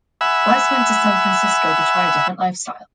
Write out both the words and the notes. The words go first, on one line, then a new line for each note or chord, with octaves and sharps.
Weiss went to San Francisco to try a different lifestyle.
E5 F#5 G#5 B5 E6